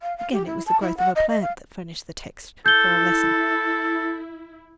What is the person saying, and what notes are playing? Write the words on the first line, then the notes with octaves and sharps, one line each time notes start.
Again, it was the growth of a plant that furnished the text for a lesson.
F5
F5
G4
E4
A5
E4
F#5
D#5
D#5
F5
E4 A4 G6 G7